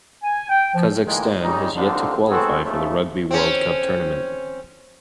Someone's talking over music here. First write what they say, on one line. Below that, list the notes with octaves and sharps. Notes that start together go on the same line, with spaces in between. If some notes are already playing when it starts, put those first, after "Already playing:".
Kazakhstan has yet to qualify for the Rugby World Cup tournament.
G#5
G5
F3
A#2 D#3 E3 G#3
G3 G#3 C#4 D#4
D#2 D3 C4 D4 D#4 F4
A2 B3 C4 F#4 G#4 A4
D#2 C#3 F3 A3
C4 C#4